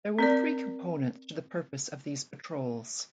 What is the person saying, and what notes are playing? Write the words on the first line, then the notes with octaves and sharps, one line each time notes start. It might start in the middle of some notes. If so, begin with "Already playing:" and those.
There were three components to the purpose of these patrols.
C4 A#4 D5